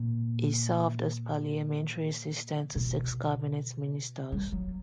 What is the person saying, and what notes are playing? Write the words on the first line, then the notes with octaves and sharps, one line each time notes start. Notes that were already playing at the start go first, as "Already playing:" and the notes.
He served as parliamentary assistant to six cabinet ministers.
Already playing: A#2
B2
G3
F#3